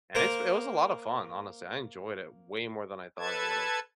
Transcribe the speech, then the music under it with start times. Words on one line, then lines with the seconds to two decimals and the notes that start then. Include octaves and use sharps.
and it's it was a lot of fun, honestly. I enjoyed it way more than I thought I would've.
0.15 A#3 A#4 C5
3.19 A4 B4 A5 G#6